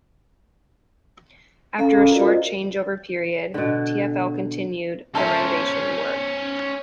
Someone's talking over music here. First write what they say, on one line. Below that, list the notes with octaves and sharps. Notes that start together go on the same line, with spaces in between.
After a short changeover period, TfL continued the renovation work.
C#4 A4 F5 A#5
F4 F#4 A#4 C5 D5 D#5
B2 D3
C#4 A4 A#4 C5 E5